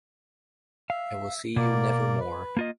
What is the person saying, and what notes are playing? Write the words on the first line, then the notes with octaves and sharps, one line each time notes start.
I will see you never more.
E5 F5
B2 A#3 D5
B4
A#3 F4 D#5